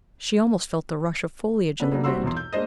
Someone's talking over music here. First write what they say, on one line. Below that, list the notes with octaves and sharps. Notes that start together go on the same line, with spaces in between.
She almost felt the rush of foliage in the wind.
B3 D4 A4 B4
C#3 F#3 A#3 D4
G3 C4 F#4 C6 E6
B1 E2 C6
G6
G#3 A#3 D4 C5 D#5